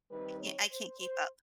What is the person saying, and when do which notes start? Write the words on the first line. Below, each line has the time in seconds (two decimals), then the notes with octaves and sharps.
ca I can't keep up.
0.10 D#3 G3 C4 D#4 B4
0.40 C#5
0.70 C5
0.99 C5